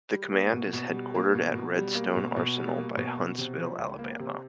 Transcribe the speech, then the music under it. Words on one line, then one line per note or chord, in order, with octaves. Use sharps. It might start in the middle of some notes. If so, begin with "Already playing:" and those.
The command is headquartered at Redstone Arsenal by Huntsville, Alabama.
G3
A#3
B2
B2
G3
A#3
B2
B2
G3
A#3
B2
B2
G3
A#3
B2
B2
C3
F3
C#2
A#3
C3